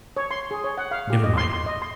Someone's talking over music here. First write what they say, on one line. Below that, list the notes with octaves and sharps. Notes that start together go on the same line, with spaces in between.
Never mind.
C#5
C6
G#4
C#5
F#5
F5
G4
D#5
C6
C6
D#5
C6